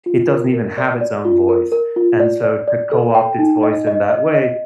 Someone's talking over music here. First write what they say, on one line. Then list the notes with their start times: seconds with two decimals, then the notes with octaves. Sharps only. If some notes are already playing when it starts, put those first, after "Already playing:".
it doesn't even have its own voice, and so to co-opt its voice in that way
0.06 F4
0.30 A#4
0.54 A#4
0.78 D5
1.01 D5
1.25 F4
1.49 A#4
1.72 A#4
1.96 F4
2.20 D5
2.44 D5
2.68 D5
2.92 A4
3.15 G5
3.39 D#4
3.63 D#5
3.87 D#5
4.10 D#5
4.35 D#5